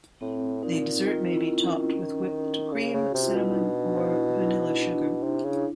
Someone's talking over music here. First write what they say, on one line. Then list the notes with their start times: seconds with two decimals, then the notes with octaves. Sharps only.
The dessert may be topped with whipped cream, cinnamon, or vanilla sugar.
0.21 A2 C4
0.63 A#2 D#4
1.05 D#3 F4
1.33 E4
1.60 C#4
2.73 C#3
2.94 C#3
3.10 C3 F#4
3.22 F4
3.33 B2 E4
3.45 D#4
3.56 D4
3.98 E4
4.40 E4
4.82 D4
5.23 C3
5.44 C#3